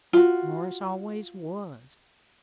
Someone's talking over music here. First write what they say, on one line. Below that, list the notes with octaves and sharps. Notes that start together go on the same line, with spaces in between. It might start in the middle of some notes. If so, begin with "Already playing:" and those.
Morris always was.
F4 F#4